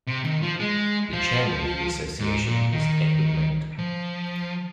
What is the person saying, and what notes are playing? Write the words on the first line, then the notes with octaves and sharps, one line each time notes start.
The chairman of the association is Edward Lennard.
C3
D#3
F3
G#3
F3
G#2
A#2
D#3
F3